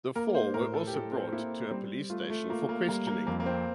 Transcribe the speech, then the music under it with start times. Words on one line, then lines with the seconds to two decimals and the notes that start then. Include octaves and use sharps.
The four were also brought to a police station for questioning.
0.16 A#3 A#4
0.35 C5
0.54 A2 A#4
0.74 A4
0.87 G4
0.93 A2 A4
1.13 C4
1.32 A#3 E4
1.71 G3 C4
2.10 A3 F4
2.30 A3
2.49 A#3 F4
2.69 A#3
2.88 G3 A#3
3.07 A#3
3.27 F2 A#3
3.40 A#3
3.46 C4